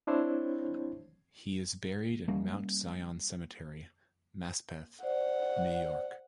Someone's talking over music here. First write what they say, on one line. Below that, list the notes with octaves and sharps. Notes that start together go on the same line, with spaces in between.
He is buried in Mount Zion Cemetery, Maspeth, New York.
C4 D4 E4 C5 C#5
G3 A#3 C#4
C5 D5 F#5